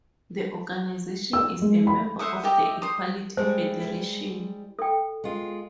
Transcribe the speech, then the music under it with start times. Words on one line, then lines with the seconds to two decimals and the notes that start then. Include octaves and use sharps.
The organization is a member of the Equality Federation.
1.33 E6
1.62 G#3
1.87 B5
2.19 C5 E5 F#5 D#6
2.43 G4 D#5 E5
2.82 C5 D#6
3.37 G3 G#3 E4 C5
4.79 A4 G5
5.24 G#3 F4